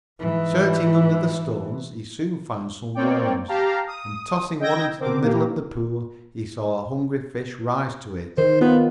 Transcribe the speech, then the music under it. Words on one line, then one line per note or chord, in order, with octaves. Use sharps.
Searching under the stones he soon found some worms, and, tossing one into the middle of the pool, he saw a hungry fish rise to it.
G#2 E3
A#3 C4 C#5 D5 G5
G4 F5 A5 A#5
D#6
D#5 G5 E6 G6 G#6 A#6
D3 C4 A#4 D6
A#2 A#3 G4
D#3 C5
B3 F4